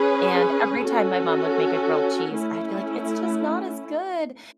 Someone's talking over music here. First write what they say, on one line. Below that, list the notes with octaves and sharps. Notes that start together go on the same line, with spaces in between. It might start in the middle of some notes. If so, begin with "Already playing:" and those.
and every time my mom would make a grilled cheese, I'd be like, "It's just not as good."
Already playing: C#4 G#4 B4
C#4 F#4 A4
A3 C#4 E4